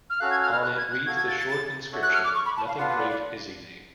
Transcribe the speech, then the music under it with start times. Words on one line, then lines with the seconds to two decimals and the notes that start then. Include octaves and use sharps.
On it reads the short inscription: Nothing great is easy.
0.10 F6
0.20 C#4 F#4 A4 F5 F#6
0.31 G#6
0.42 F6
0.52 F6
0.63 F#6
0.77 G#6
0.92 F#6
1.06 F#4 A4 F5 G#6
1.17 G#6
1.28 A6
1.38 A6
1.49 A6
1.92 A3 D4 F#4 A4 C#5
2.03 F#6
2.13 F6
2.24 D6
2.35 C#6
2.46 B5
2.57 A5
2.67 F5
2.78 D4 F4 B4 F5 F#5
2.89 F5
2.99 D5
3.10 D5